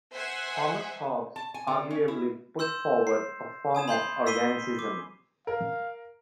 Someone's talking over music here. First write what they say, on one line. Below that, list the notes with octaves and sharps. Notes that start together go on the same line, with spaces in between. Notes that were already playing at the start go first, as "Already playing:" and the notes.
Thomas Hobbes arguably put forward a form of organicism.
C5 E5 F#5 G#5
A5
G#5
D3
C#4
E4
C6 E6 G6 E7
C7
G#5 D#6 G#6 E7
B5 C6 G6 C7
E6 B6 C7 D#7 G7
D6
A#4 F5